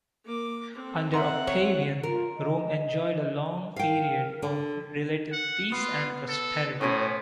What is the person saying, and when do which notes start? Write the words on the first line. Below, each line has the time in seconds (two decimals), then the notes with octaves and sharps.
Under Octavian, Rome enjoyed a long period of relative peace and prosperity.
0.25 A#3 D6
0.75 C4 A4
1.14 E5 F#5 A#5 C6
1.47 C#5
2.03 F4 A#4
2.36 D#5
3.76 A#4 F5 G5
4.42 D3
5.32 F#5
5.72 B3 F4
6.28 A4
6.81 A2 B3 C#4 C5 G#5